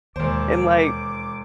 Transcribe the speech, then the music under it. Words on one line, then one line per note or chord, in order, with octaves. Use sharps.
And like
E1 D#2 C5 D6